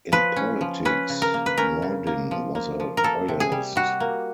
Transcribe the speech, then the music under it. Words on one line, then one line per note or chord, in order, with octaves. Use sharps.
In politics Nordin was a royalist.
F3 B4
C#4
F3
C#4 B4
C#3
A#4
A#3
B4
C#4 A#4
C#3
A#3
F3
A#3
F3
A#4
A#3 A4
C3
G#4
G3
G3 F#4
A#3